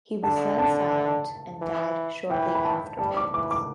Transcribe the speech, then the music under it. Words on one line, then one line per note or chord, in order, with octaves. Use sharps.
He was then silent and died shortly afterwards.
D3 A5
A5
E3
E3 G5
B5
A5
G3 A5
D6
E3 D6
D6